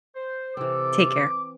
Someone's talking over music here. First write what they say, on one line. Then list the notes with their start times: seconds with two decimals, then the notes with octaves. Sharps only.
Take care.
0.15 C5
0.57 C3 E3 C4 A4 D6